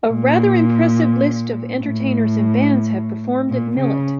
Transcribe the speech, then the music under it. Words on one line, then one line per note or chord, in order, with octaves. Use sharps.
A rather impressive list of entertainers and bands have performed at Millett.
A#2
A2
A#2
C#3